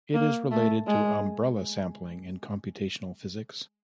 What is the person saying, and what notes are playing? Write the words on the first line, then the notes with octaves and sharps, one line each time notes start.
It is related to umbrella sampling in computational physics.
A#3
A3
G#3